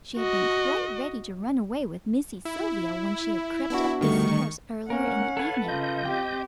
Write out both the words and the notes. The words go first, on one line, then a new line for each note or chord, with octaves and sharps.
She had been quite ready to run away with Missy Sylvia when she had crept up the stairs earlier in the evening.
F#4 D#5
E4
B3 D4 E4 F#4
D3 D#3 G3 A3 C#6
A#3 C#4 A#4 F#5
A4 B4 C#5 F5 A5
C#3 F4 D#5 G6
C4 G4 G5